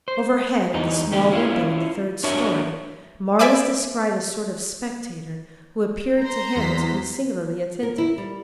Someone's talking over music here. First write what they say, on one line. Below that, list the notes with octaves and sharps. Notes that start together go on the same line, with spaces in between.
Overhead, at the small window in the third story Marius descried a sort of spectator who appeared to him to be singularly attentive.
C5
E2 E3 D#4
E2 D3 A3 G4
C#4 E4 F4
D4 F#4 A#4 C#5 E5
C5 D5 E5 G#5 B5 D6
C5 A#5 C6
E2 B6
A#4
E4
G3